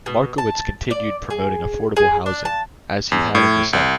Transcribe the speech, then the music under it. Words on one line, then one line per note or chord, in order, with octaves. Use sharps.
Markowitz continued promoting affordable housing, as he had in the Senate.
B2
A5
D5
G#4
G#4
D4
A5
E2
A2
C2